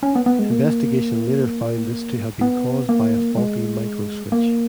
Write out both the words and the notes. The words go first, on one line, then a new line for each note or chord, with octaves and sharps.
Investigation later found this to have been caused by a faulty micro switch.
C#4
B3
B3
G#3
A#3
B3
A#3
G#3
A#3